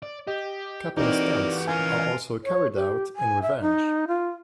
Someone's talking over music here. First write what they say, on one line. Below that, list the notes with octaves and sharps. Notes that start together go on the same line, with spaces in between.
Capping stunts are also carried out in revenge.
D5
G4 D#5
E3 A#3 C4 D#4 F#4 G4 D5
C#4 D#4 F4 A#4 G#5
C#5
G4
G#5
E5
D#4
F4